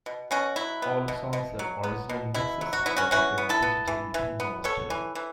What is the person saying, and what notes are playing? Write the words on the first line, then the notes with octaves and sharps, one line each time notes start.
All songs are original mixes that have been digitally remastered.
B2
B2 C#4 F#4
F#3 E4
B3
B2
B2
F#3
B3
B2
B2 E4
F#3
F#4
B3 E4
C#4 F#4
E3 C#4 F#4
B3
E4 A4
B3
E3
E3
B3
B3 A4 C#5
E3
E3